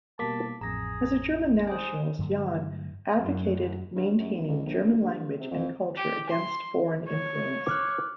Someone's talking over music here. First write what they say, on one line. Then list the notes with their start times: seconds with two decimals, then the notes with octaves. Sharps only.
As a German nationalist, Jahn advocated maintaining German language and culture against foreign influence.
0.19 B2 G3 A#3 A5 D6 B6
0.61 A1 F2 G#4 A#5 A#6
1.68 D#4 C5 G#5
2.19 G2 D3 F#3 A3
3.16 F#2
3.96 G2
4.19 F#2
4.33 B1
4.48 C#2
4.65 A#1
4.84 E1
5.01 G2
5.39 C3
5.51 F2
5.97 G4
6.29 C6
7.09 C#5
7.66 D6 F6 F#6